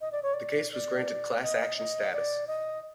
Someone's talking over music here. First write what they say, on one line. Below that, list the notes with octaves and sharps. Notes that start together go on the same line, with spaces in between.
The case was granted class action status.
D#5
D5
C#5
D5
D5
D#5
D#5
D5
D#5